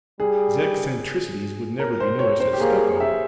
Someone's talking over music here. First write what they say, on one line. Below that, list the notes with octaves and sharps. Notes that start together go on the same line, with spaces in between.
His eccentricities would never be noticed at Stokoe.
G3 G#4
A#4
C5
C#5
C5
G4
A#3 G#4
E5